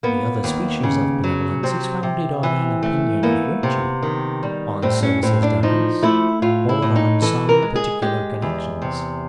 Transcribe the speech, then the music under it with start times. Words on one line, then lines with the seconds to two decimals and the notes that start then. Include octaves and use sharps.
The other species of benevolence is founded on an opinion of virtue, on services done us, or on some particular connexions.
0.03 A#3 B3
0.44 D#2
0.83 C#3
1.24 F#3
1.63 C3 C4
2.03 C3
2.43 E3
2.83 A3
3.23 A#3 B3
3.63 C3
4.03 D#3
4.43 G3
4.82 A2 C4
5.03 C#4
5.23 A2 C4
5.43 D4
5.63 F3 D#4
6.03 A3 E4
6.42 A2 F4
6.69 E4
6.82 A2
6.96 D#4
7.22 E3 A4
7.49 A#4
7.62 G#3
7.76 G#4
8.02 G#3 G4
8.42 E2
8.82 C3